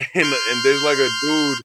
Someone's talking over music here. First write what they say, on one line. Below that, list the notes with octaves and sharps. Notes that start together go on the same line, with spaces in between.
and and there's, like, a dude
C6 F6 G6